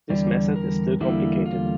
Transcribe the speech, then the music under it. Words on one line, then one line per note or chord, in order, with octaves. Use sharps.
This method is still complicated.
E2 D3 G3 D5
A#4
E2 D3 G3 A#3 E4
F4